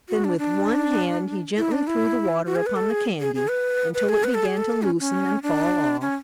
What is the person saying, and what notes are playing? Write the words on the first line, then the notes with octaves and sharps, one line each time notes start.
Then with one hand he gently threw the water upon the candy until it began to loosen and fall off.
F#4
D4
D4
E4
D4
E4
F#4
G#4
B4
A4
G#4
G#4
G#4
B4
B4
G#4
B4
A4
G#4
A4
C#4
C#4
D4
C#4